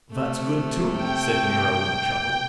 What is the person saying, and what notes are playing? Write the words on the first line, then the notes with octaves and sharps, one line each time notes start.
"That's good too," said Nero, with a chuckle.
C3 A3
G5